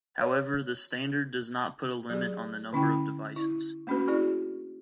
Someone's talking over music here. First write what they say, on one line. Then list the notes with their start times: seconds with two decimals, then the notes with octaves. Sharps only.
However the standard does not put a limit on the number of devices.
0.21 C#5
2.10 F#3 G4 G#4
2.73 D3 C#4 E4 G5
3.36 E4
3.87 A3 A#3 C#4 D4 F#4 B4
4.08 E4 F#4 G#4 D5